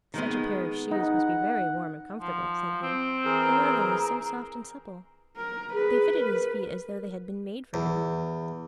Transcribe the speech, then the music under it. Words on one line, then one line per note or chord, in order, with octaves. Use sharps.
"Such a pair of shoes must be very warm and comfortable," said he; "the leather is so soft and supple." They fitted his feet as though they had been made for him.
D#3 G#3 B3
D#4 F#5
F3
C4
E3 G#4 A#4 A#5
A#4
G#4 B4
A#4
E2